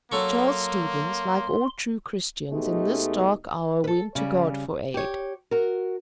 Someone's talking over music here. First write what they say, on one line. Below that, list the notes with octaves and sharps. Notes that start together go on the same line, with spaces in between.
Charles Stevens, like all true Christians, in this dark hour went to God for aid.
F#3 A#3 A4 C6 C#6
B2 G#3 A3 D#4 G4
A4 B4
C#3 G3
G4 C#5
F#4 A#4